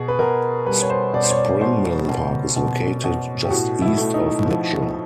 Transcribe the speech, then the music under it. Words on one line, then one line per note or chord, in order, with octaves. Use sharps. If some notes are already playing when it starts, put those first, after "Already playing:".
Spring Mill State Park is located just east of Mitchell.
Already playing: B2 G#4
B4
B2 A#4
G3 B4
C#5
C5
B2 D5
C5
C#5
D5
B2 C5
B2
B2
B2
G4
A2 F#4
E4
A3
D#4
F3